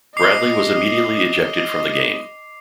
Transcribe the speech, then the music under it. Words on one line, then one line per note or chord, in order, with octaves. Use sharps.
Bradley was immediately ejected from the game.
D#5 D6 C7
D#5